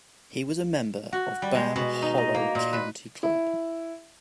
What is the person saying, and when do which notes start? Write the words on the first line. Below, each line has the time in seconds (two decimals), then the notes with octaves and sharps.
He was a member of Bamm Hollow Country Club.
1.13 F#4
1.42 G3
1.55 G#3
1.76 B2
2.02 D#4
2.18 D#5
2.35 A#3
2.55 A#2
2.73 B4
3.23 E4